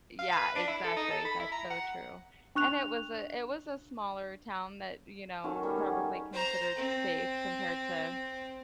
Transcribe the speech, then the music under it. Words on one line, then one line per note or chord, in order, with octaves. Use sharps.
Yeah, exactly, that's so true. And it was a it was a smaller town that, you know, probably considered safe compared to
F5
B4
D4
E4
A4
D#4
A4
B5
E4
A#5
F#5
D4 C#6 F#6 F7
D#3 C#4 F#4 A4
G3 B3 A#4
A#4 C#5
G4 G#4
C5 A#5
C4